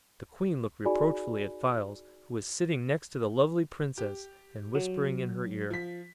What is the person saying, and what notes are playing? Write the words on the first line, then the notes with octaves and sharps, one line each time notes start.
The Queen looked reproachfully at Files, who was sitting next to the lovely Princess and whispering in her ear.
D#4 F#4 G#4 D5 G#5 B5
G4
F#3
F3 B6